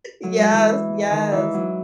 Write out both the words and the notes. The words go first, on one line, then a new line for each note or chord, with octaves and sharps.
Yes, yes.
F#3
G#3
E3
D#3
E3
F#3